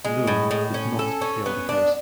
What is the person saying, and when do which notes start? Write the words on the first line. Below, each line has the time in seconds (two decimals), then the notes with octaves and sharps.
Leung did not appeal the case.
0.05 G#3
0.27 A2
0.51 A2
0.74 C#4
0.99 A4
1.21 C#4
1.46 B3
1.69 D4